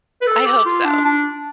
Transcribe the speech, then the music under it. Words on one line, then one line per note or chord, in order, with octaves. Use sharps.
I hope so.
B4
A4
G4
F4
D4
D4